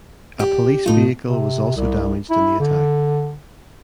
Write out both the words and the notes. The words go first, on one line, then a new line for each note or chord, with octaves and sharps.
A police vehicle was also damaged in the attack.
G4 D5
A2 A3 D#4 F4
C3
C2
E4
D3